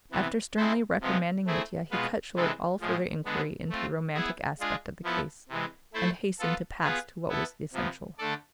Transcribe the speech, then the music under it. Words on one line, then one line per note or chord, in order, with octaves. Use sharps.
After sternly reprimanding Mitya, he cut short all further inquiry into the romantic aspect of the case, and hastened to pass to what was essential.
C3 E3 B3
G#3 C4 E4 A4 C5
C3 F3 G#3 B3 F4
A3 C4 E4 G#4
B2 G#3 B3 F4 B4
C3 E3 G#3 D4 A4
A2 F3 G#3
D3 G#3 B3 D4
A3 C4 F4
B3 E4 G#4
G#3 D4 F4 G#4
F3 B3 E4 A4
C3 E3 G#3
A3 E4 A4 C5
B3 F4 A4
B3 F4 G#4 B4
B3 E4 A4
C3 F3 B3
D3 A3 D4 A4 D5